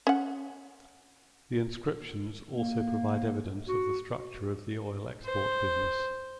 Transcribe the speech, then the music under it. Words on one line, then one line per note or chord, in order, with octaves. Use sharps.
The inscriptions also provide evidence of the structure of the oil export business.
C#4 F#5
A#3
F#4
C5